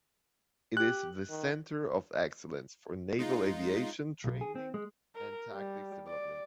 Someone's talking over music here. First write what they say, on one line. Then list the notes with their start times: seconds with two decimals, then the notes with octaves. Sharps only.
It is the center of excellence for naval aviation training and tactics development.
0.77 G4 F#6
1.29 D#3
3.19 G#3 D#4 F4
4.24 B1
4.41 G#4
4.55 C4
4.74 G#3
5.15 A#4
5.53 G3
6.08 D5